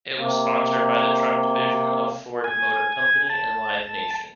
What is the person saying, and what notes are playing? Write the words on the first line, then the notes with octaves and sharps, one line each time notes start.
It was sponsored by the truck division of Ford Motor Company and Live Nation.
C3 A#3
G#5
A5